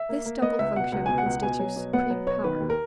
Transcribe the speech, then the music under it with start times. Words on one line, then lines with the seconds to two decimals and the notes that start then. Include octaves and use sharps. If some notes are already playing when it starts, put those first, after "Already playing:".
This double function constitutes supreme power.
Already playing: E5
0.09 A#3
0.25 A#3
0.42 B3 D#5
0.59 C#2 E5
0.76 B2 F#5
0.92 C#2 F#5
1.06 B2 G#5
1.18 F#5
1.26 C#2
1.43 B2 G#5
1.59 F#3
1.76 B2
1.93 B3 F#5
2.10 F#3
2.27 B2 C#5
2.44 D#3 B4
2.60 D#2
2.70 A#4